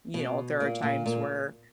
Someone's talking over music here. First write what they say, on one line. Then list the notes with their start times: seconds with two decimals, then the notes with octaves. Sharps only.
you know, there are times where,
0.14 B2
0.60 A#2
0.82 A#2
1.06 A#2